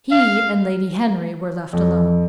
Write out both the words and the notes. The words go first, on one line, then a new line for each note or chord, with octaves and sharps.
He and Lady Henry were left alone.
F5
F2